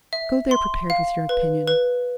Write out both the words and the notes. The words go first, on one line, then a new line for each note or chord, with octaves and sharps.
Go there prepared with your opinion.
E5
C6
F5
B4
B4